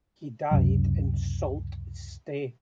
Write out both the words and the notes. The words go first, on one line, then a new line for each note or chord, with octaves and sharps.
He died in Sault Ste.
C#2 F#2 C3 F#3